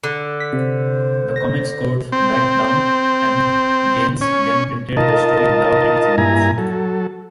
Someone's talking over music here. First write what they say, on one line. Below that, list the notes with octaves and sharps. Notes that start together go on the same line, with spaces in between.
The Comics Code backed down, and Gaines then printed the story without any changes.
D3
B6
C3 C5
A#6
C4
C#4
D#4 F4 A#4 D#5 A5
G2 A#2 E4 G#5 A#5
F#3 A4